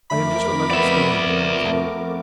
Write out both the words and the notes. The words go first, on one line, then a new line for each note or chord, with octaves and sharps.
"I am just eleven stone," said he.
F2 A3 A#4 E5 B5 D6
B3 C5 D5 E5
A3